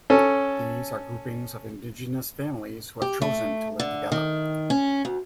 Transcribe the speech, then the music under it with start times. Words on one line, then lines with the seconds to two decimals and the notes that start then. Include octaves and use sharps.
These are groupings of Indigenous families who have chosen to live together.
0.10 C#4 A4
3.02 G4
3.22 A3
3.80 D3
4.12 D#3
4.70 C#4
5.05 D2